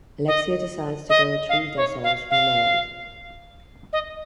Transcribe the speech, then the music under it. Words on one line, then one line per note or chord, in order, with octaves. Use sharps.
Alexia decides to go retrieve their souls from the merrows.
D#5
D#5
F5
C#5
F5
F5
D#5